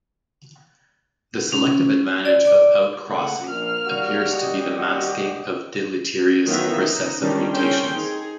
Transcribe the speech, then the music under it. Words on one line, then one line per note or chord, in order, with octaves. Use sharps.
The selective advantage of outcrossing appears to be the masking of deleterious recessive mutations.
C#4
D5
D5 D6
C#3 A3 A#3 F#5
A#1 A#3 F6
D#2 G3 F#4
G4 D#5
D#3 E3 F#3 B3 F4 E5
D#4
D#3 G3 C#4 D4
C4 C#4 G#4 A#4 G5 C6
D#4 G#4